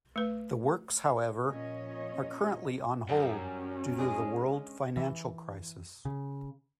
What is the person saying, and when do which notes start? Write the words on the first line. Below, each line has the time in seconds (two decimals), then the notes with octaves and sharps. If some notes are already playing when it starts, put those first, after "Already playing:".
The works, however, are currently "on hold" due to the world financial crisis.
0.16 A3 B4
1.47 A#2 F3 C#4 C#5 D#5
3.09 F#2 G3 C#4
3.99 G#3 D4 G#4
4.97 E3
6.05 C#3